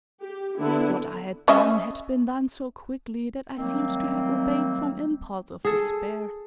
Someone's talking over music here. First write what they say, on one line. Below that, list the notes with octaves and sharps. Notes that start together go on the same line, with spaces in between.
What I had done had been done so quickly that I seemed to have obeyed some impulse of despair.
G4
D3 B3 E4
C#4 D#5 E5
D#3 F#3 G3 A3 A#3 C4
G#4 A4